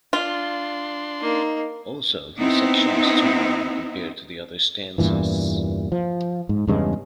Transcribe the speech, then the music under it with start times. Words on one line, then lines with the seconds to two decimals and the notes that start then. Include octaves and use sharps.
Also, the section was too long compared to the other stanzas.
0.13 D4 F4 C6
1.21 A#3 D#4
2.38 B3 C4 D#4 E4
4.98 E2 G2 A#2 E3
5.92 F3
6.49 G#2
6.67 E2 G2 C#3 G#3